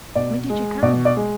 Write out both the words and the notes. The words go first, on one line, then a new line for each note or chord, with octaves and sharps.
"When did you come?"
B2 D5
G#3
B2 D5
D5
G#3